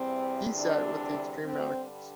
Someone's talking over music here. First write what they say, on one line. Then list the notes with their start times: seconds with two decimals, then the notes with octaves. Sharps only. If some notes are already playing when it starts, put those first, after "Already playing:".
He sat with the extreme radicals.
Already playing: E2 C3 G3 C4
0.53 D3 D4
1.42 G2 D3 G3 C4